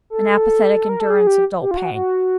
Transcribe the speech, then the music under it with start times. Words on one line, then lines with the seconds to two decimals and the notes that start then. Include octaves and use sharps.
An apathetic endurance of dull pain.
0.10 A4
0.89 A#4
1.00 A4
1.10 G#4
1.27 G4
1.61 G4
1.71 F4
1.77 F#4
1.94 F#4